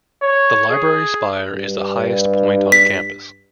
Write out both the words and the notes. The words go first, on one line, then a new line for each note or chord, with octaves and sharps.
The Library spire is the highest point on campus.
C#5
G#4
G2
B6